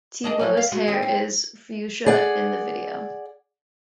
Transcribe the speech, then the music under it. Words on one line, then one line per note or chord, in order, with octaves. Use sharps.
T-Boz's hair is fuchsia in the video.
G#3 D4 D#5
F3 F#3 C#4
F5
G#3 F#4
D#2 C4 G#4
C4
G#4 D5 F#5